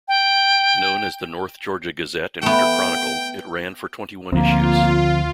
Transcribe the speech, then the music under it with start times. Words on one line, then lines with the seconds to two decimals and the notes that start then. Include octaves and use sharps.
Known as the "North Georgia Gazette and Winter Chronicle", it ran for twenty-one issues.
0.08 G5
2.43 A3 B3 G5
4.32 D2 D3 F3 A#3 C4 F4